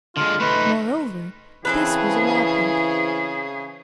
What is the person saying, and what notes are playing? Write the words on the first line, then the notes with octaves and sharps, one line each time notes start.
Moreover, this was a labyrinth.
D3 G#3 F4
A3 D#4 B4
C#3 E3 C4 G#4 A4 B4